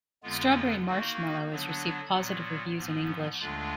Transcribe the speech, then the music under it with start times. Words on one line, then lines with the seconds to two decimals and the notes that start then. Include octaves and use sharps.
"Strawberry Marshmallow" has received positive reviews in English.
0.23 F2 D3 G#3 B3 F4
0.86 D#3 A#3 D#4 F#4
1.50 D3 F#3 B3 D4
2.13 A#2 F#3 B3
2.77 G#2 F3 B3
3.40 D2 D3 G#3 D4 F4